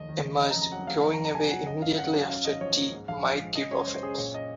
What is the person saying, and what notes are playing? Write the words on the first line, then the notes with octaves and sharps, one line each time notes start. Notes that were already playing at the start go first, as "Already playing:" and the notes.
Emma's going away immediately after tea might give offence.
Already playing: F1 D#2 D#5
D#3
F1
C#3 D#5
A#5
F2
A#5
F#3 F#5
A#3 F5
F2
A#5
F1
A#5
C3 G#5
F#3 F#5
F#2 D#5
G#1 F5
C#3 F#5
F#3
F#2 F5
G#1 D#5
F3 C#5
A#3
G#2
A#1 F5
F3
G#3
C#3 D#5
F#2 C#5
G#3 C5
F#2 G#4
A#2 C#5
D#5